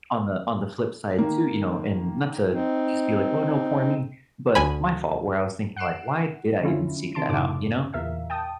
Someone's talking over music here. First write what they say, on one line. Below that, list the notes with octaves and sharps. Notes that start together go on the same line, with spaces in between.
on the on the flip side too, you know, and not to just be like, "Oh no, poor me," but my fault where I was thinking like, "Why did I even seek that out?" You know,
D#3 A#3
C4 D#4
D2 G#5 B5
F#5 F#6 C7 D7 E7
D3 D#3 A3 C#4 E4 F4
C3 D#3 A5 C6 D7
F#2 A2 C#3 D#4 D6
E2 A#2 A#4 E5 F5
G5 A5 D#6